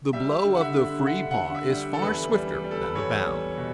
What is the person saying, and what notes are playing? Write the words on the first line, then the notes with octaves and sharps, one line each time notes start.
The blow of the free paw is far swifter than the bound.
G3 E5
D3
F#5
E5
D3
D3 F#5
F#5
D3
E5
G3
A4
E2 B4
G3
G3
A4
B4
E2 C#5
G3
B2